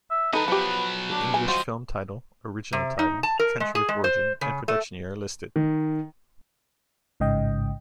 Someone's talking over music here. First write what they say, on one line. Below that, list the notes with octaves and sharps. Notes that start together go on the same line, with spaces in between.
The English film title, original title, country of origin and production year are listed.
E5
E3 D#4 A4 B4 D#5 A#5
F3 F#3 B3 G4
D4
G#5
F#3 G3 F4 C5 D#5
C3
D#4
A5
A#4
G#3
G#4
G#3
C5
C#3
A3
D#3
A1 G#2 C#3 D#5 G5